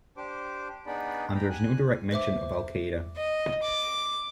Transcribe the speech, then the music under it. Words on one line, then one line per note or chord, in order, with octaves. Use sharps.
And there is no direct mention of Al-Qaeda.
D4 G4 C5 D6
B3 D4 D#4 G#4 D5 B5
G5 A#5 B5
G#5 F#6
B4 C5 E5 D6
D#5
D6